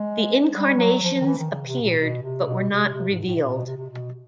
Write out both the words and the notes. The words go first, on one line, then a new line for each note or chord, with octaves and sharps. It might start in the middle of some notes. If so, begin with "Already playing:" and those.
The incarnations appeared, but were not revealed.
Already playing: G#3
G3
F#3
F#3
F3
F3
D#3
E3
D#3
C#3
C3
A#2
B2
C3
B2
C3
C3
G#2
A2
B2
A#2
B2
C3
C3
B2